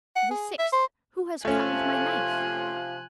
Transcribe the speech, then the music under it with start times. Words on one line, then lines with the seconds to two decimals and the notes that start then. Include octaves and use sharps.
The sixth, "Who has cut with my knife?"
0.16 F#5
0.31 G#4
0.59 E5
0.73 C5
1.45 C3 F3 A3 C#4 F4 G#5 F#6